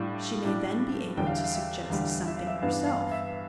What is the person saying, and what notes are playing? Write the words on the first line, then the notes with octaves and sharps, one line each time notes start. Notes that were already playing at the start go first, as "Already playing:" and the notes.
She may then be able to suggest something herself.
Already playing: A2 G3 D4 F5
A2 G3 D4
E2 D3 G3 G5
F5
E5
F5
E5
E2 D3 G3 F5
E5
F5
E5
G2 E3 B3 D4 F5
F5
E5